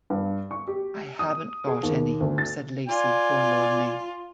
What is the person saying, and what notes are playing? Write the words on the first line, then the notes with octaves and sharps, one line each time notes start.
"I haven't got any," said Lacey forlornly.
G2
C#6
G4
D#6
G#4
D#2
D2
A6
F4 D5 G#5